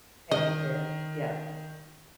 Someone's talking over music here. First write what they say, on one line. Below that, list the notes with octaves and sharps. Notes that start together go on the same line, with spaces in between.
Next year, yep.
D#3 D#5